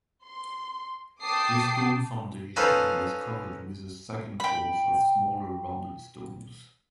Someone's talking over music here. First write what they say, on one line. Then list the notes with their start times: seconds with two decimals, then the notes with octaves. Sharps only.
This stone foundation was covered with a second course of smaller rounded stones.
0.24 C6
1.22 G5 A5 D6 D#6 C7
2.56 C#4 D#4 F4 A4 B4 C5
4.40 G5 B5